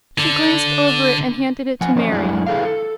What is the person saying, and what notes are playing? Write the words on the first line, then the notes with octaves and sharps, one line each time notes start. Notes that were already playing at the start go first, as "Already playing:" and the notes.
She glanced over it, and handed it to Mary.
D3
F3 F#5 G#5
F3 C#4 D#5
F#2 G#3 D4 E4 F#5 G#5
E4 G#4 A4 B4 F5
A4